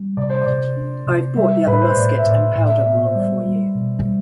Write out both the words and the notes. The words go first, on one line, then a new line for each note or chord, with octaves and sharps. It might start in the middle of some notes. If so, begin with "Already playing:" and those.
I've brought the other musket and powder-horn for you.
Already playing: G3
C3 D5
C5
D5
C3
D4
C3
G3 E5
A2 B4
C5
A2 D5
E5
A2 D5
A2
E5
D5
B3 E5
C5
G3 D5
G3
B2
G3